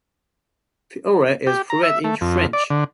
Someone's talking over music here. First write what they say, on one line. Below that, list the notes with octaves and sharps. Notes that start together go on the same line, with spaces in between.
Feore is fluent in French.
G4
A#5
E5
A3
F2
D5
D3